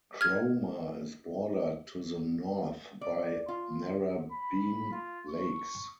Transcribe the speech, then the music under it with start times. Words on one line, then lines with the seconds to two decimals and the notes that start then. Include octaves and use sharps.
Cromer is bordered to the north by Narrabeen Lakes.
0.21 F6 G#6
3.01 D5
3.48 F4
4.32 B5
4.92 F4
5.30 C#6